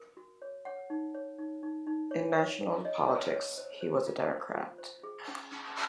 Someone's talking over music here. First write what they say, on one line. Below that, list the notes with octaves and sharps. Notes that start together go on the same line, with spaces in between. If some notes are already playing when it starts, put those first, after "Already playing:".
In national politics, he was a Democrat.
Already playing: A#4
F#4
C#5
C#5 F#5
D#4
C#5
D#4
D#4
D#4
C#5
C#5
A#4
C#5 D#5
C#5
C#5
C5
C5
F4
C5
F4
C5
G#4
C#4
C#4